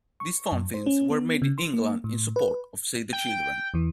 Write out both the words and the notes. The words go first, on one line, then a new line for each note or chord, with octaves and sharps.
These fan films were made in England in support of Save the Children.
C#6
F#2
C5
C#4
B3
C#3
C6
A#3
A2
B4
G5
E2 E3